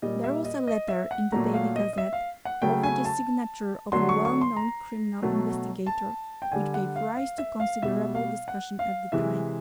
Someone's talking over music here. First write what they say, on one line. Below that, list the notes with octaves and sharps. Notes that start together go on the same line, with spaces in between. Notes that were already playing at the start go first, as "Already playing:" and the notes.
There was a letter in the Daily Gazette, over the signature of a well-known criminal investigator, which gave rise to considerable discussion at the time.
A#2 G3 D#5
E5
D#5
D#5
E5
F#5
A#2 F#3 A3 A#5
F5
D#5
D#5
E5
F5
F#5
C#3 F#3 A3 G5
G#5
A5
D3 F#3 A3 C6
C#6
C#6
C6
A#5
B2 F#3 A3
A5
G5
D3 G3 G#5
F#5
F5
F5
E5
F5
B2 G3 E5
F5
F#5
F5
C3 E3 G#3 E5